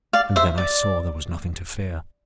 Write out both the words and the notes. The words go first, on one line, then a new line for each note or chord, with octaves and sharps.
And then I saw there was nothing to fear.
D5 F5
C5 E5
D5